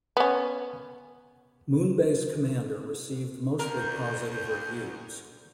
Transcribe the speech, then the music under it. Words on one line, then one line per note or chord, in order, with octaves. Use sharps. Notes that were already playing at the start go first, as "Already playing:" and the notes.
Moonbase Commander received mostly positive reviews.
B3 C#4
D2 A#4 G6